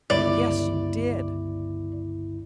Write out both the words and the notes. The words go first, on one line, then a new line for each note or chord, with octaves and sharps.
"Yes, you did."
G1 C#2 E4 D5